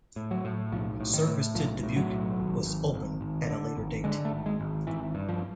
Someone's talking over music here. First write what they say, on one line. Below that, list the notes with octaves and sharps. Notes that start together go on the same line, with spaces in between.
Service to Dubuque was to open at a later date.
A2
F#3
A2
B1 F3
A2
D#3
A2
B1 F3
A2
F#3
B1
G#1
G#1
G#1
G#1
D3
G#1
D3 G#3
A3
G#1
G#3
G#1
G#1 E3
G2
F3